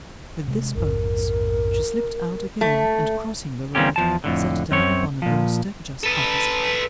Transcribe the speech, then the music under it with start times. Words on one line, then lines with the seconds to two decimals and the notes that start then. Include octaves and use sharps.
With this purpose she slipped out again, and crossing the road, sat down upon a door-step just opposite.
0.48 C3 G#3
0.75 A#1 F2 G#2 A#4
2.61 A3
3.75 E3 G3 A#3 C4 C#4 G4
3.96 E2 F3 A5
4.24 F2 A2 D3
4.71 F#2 C4 C#5
5.22 A#2 F3
6.04 A4 B4